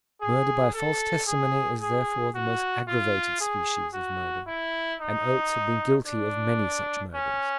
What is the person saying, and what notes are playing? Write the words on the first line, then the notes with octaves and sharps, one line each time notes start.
Murder by false testimony is therefore the most aggravated species of murder; and Oates had been guilty of many such murders.
G#4
A4
G#4
G#4
F#4
F4
G#4
F#4
E4
D#4
D4
C#4